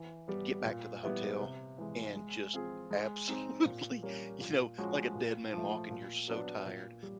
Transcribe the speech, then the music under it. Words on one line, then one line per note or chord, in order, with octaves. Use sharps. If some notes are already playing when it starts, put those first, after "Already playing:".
get back to the hotel and just absolutely you know, like a dead man walking. You're so tired.
Already playing: E3
G3 B3
A#2
G3 B3 E4
C3
E3 G#3
G#3
C4 F4 G#4
G#3
C4 D#4
A#2
G3 A#3 C#4
A#2
F3 G#3 C#4 F#4
A#2
F3 A3
A#2
F#3 B3 D4
A#2
G3